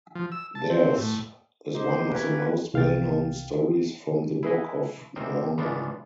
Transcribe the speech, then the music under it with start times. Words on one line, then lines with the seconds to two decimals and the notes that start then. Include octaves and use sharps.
Theirs is one of the most well-known stories from the Book of Mormon.
0.15 F3
0.32 E6
0.55 A5
0.70 C4
0.98 A2
1.74 D#4 E4 G4 C5
2.12 E3 A#3 C4 C#4 A#4 B4
2.74 C2 F5 G5 A6
4.43 E4 G#4 B4 D#5
5.16 E2 C3 C4 A#4 C5 D#5
5.58 G#2 C#3 E3 B3 D4 F4